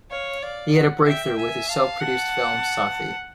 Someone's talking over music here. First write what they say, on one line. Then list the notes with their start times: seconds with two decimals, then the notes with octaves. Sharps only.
He had a breakthrough with his self-produced film "Sathi".
0.10 C#5 F5
0.42 D5 F5
0.74 F#5
1.06 E5 G5
1.26 G5
1.38 E5 G#5
1.69 F5 A5
2.01 F#5 A5